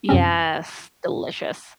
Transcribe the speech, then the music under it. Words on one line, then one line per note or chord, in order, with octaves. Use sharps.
Yes, delicious.
F#2 C3 C4 C#4